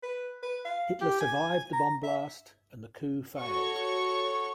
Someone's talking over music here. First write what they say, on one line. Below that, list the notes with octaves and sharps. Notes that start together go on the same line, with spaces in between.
Hitler survived the bomb blast and the coup failed.
B4
B4
F5
G4
G#5
A#5
E5
F#4 A4 C#5 C#6